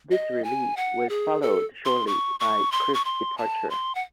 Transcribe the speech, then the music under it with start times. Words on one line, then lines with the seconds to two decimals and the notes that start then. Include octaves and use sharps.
This release was followed shortly by Crypt's departure.
0.11 D#5
0.44 G#5
0.77 F#5
1.09 G#4
1.42 A4
1.85 C6
2.07 C#6
2.40 C#6
2.72 C6
2.94 C#6
3.05 C6
3.38 A5
3.70 C6
3.95 F#5